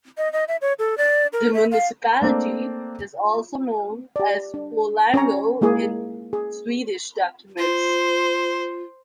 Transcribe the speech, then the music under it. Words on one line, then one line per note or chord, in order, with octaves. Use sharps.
The municipality is also known as "Puolango" in Swedish documents.
D#5
D#5
E5
C#5
A4
D5
A#4
E5
F5
A3 A#3 C4 D4
G4 D5
D4
C#4 C#5 A#5
G#3 A#3 E4 G#4
G#4
F4 C5